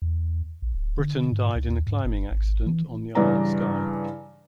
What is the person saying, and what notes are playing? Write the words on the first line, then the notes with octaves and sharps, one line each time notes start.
Britton died in a climbing accident on the Isle of Skye.
E2
A#1
D1
D3
G#2
C#2
D#2
G#2
F#1
G#1
E3
G2 C#3 E3 B4 D5 A#5